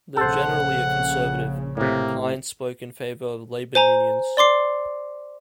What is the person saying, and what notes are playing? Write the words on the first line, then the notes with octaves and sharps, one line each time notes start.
Though generally a conservative, Pyne spoke in favor of labor unions.
A#1 C#3 A4 C5 F#5
A2 C3 A#3
C5 G#5 A#5
D5 C6 D6 C7